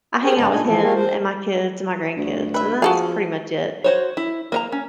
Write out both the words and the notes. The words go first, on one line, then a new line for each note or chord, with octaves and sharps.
I hang out with him and my kids and my grandkids, and that's pretty much it,
G4 G#4 A#4 C5 C#5 G5
G2 C#3 G#3 B3 A5
A#2 D4 D#4 G#5
E3 F3 A4
A3 A#3 F4 G4 A4 A#4
C5
D2
B4 E5
F3 F#4 G#4 A4 F5
F#4 C5 C#5
E4
A#3 D#5 A#5
C#4